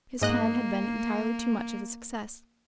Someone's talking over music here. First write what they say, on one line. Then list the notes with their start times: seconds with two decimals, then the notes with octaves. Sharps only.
His plan had been entirely too much of a success.
0.21 G#2 A#3 D#5 F#6